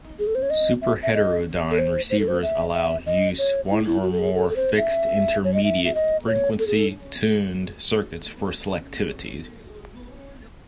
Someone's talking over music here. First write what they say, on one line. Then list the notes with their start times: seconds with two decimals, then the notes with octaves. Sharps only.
Superheterodyne receivers allow use one or more fixed intermediate frequency tuned circuits for selectivity.
0.19 G#4
0.27 A4
0.35 C5
0.42 C#5
0.50 D#5
0.82 E5
1.03 E5
1.14 D#5
1.71 A4
1.79 C5
2.10 C5
2.19 A4
2.28 C5
2.43 E5
2.75 E5
3.06 D#5
3.38 C#5
3.71 E4
3.86 E4
4.03 F#4
4.12 A4
4.19 G#4
4.35 A4
4.50 A4
4.56 C5
4.78 E5
5.45 C#5
5.54 D#5
5.64 E5
5.85 E5
5.95 D#5
6.27 C#5
6.59 A4
6.67 G#4
6.75 A4